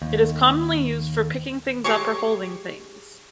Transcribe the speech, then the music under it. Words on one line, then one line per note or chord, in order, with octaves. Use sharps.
It is commonly used for picking things up or holding things.
D#2
G#3 G4 C#5 C#6